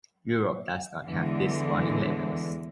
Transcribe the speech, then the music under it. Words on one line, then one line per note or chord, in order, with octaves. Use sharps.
Europe does not have these warning labels.
E2 D3 E3 G#3